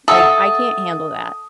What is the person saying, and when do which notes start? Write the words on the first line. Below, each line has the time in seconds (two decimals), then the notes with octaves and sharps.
like, "I can't handle that."
0.08 A4 E5 F#5 D#6